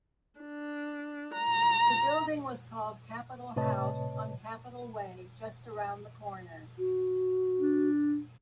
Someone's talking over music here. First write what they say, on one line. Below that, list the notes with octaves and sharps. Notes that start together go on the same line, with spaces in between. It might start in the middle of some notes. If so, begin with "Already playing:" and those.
The building was called Capitol House on Capitol Way, just around the corner.
D4
A#5
A2 C3 B4 C#5 D#5 A5
F#4
D4